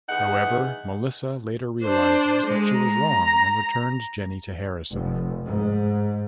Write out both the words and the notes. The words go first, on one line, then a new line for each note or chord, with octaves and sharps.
However, Melissa later realizes that she was wrong and returns Jenny to Harrison.
E2 D#4 G#4 F#5
D4 C5
G#3
A#5
F1
G#2